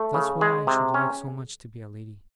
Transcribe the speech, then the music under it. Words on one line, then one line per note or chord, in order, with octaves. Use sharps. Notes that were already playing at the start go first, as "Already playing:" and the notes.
That's why I should like so much to be a lady.
Already playing: A3
C#3
G#3 G#4
C3
C#4